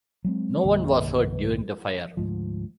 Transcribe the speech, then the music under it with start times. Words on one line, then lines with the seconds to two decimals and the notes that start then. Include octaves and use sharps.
No one was hurt during the fire.
0.24 F#3 G#3 C4
0.64 C2 G2 D#3 A#3
2.17 D2 G#2 F3